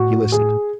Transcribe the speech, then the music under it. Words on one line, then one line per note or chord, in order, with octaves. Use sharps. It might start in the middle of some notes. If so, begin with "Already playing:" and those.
He listened.
Already playing: A2 F#4
G#4